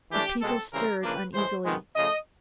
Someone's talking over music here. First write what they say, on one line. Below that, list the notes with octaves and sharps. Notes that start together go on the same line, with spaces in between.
The people stirred uneasily.
E3 A3 D4 G4
B2 G#3 C4 A4
C#3 E3 G3 C4 A#4
C#3 F3 A#3 D4 B4
A2 E3 G#3 C5
C3 D#3 G#3 B3
C#3 F3 A3 D#5